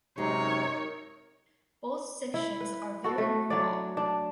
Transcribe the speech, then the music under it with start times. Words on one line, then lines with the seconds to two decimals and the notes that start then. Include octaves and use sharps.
Both sections are very rural.
0.18 F#2 C3 G#3 D#4 A#4 C#5
2.34 E4
2.60 B4
3.04 F#4 A4
3.18 A3
3.50 F#3 D4 D5
3.97 D4